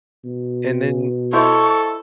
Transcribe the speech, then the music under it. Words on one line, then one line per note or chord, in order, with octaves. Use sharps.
and then
B2
E4 A4 C5 D#5 C#6